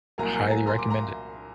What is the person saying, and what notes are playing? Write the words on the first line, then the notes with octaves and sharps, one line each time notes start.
highly recommend it,
C2 A#2 F#3 A#3 G#5 A#5
G#5 A#5
G#5 A#5
A#5 C6
C6 D6
A#5 C6